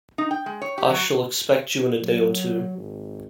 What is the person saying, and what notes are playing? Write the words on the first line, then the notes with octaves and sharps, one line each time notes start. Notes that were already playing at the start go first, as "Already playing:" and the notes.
I shall expect you in a day or two.
D#4
G5
G#3
C#5
G4
F#3
F#3
G#1